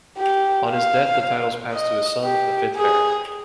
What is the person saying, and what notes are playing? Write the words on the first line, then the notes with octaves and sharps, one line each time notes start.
On his death the titles passed to his son, the fifth Baron.
G4
F5
D#5
G4
G#4